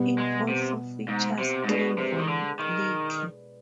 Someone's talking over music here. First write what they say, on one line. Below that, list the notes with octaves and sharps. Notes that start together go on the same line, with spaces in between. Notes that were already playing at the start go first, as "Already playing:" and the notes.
It also features Cleavon Little.
Already playing: B2 G3 B3
G#3
C3
G#2
C3
G#2
B2 G#3 D4 G#4 B4
C3
D#3
D3
D#3